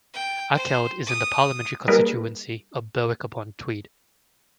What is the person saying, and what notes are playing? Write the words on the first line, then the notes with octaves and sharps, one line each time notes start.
Akeld is in the parliamentary constituency of Berwick-upon-Tweed.
G5
C5
D#6
G3 A#3 D#4 G#4 A#4 B4